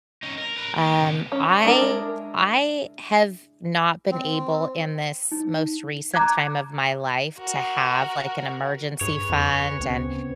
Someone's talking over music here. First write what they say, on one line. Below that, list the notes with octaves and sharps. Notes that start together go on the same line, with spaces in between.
Um, I I have not been able in this most recent time of my life to have, like, an emergency fund and
C#4 D#4
A#4
A#4 B4
A#3 G4
C#3 B3
C#4
G#3 D4 E4 A#4
C4
D#4
A#5 D6 F#6 G#6
F#4 A#4
G2 G#4 B4 C#5
F2
D2 C#3 B3 C4